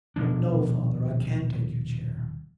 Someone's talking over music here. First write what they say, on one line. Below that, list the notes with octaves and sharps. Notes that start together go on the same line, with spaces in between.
'But no, father, I can't take your chair.
D#1 B2 F3 D4